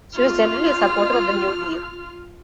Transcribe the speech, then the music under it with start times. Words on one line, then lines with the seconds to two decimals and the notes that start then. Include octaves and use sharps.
She was generally a supporter of the New Deal.
0.14 F4 F6